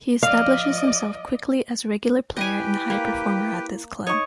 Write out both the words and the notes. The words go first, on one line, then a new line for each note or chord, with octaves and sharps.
He establishes himself quickly as regular player and high performer at this club.
F3 D5 D#5 F5
E4 G4 B4 D#5 G5 G#5
A#3
D#4 C#5 D#5 C#6